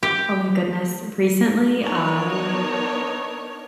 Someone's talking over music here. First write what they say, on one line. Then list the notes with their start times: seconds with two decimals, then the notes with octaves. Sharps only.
Oh my goodness, recently, I
0.03 G4
1.79 B3 D4 D#4 A#4 C#5